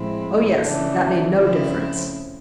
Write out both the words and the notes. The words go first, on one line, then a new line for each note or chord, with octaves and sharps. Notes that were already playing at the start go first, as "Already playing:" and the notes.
"Oh, yes; that made no difference."
Already playing: A2 F3 G#3 C4 E4
C#3 E3 A3 D4
C#3 F3 A3 C4 E4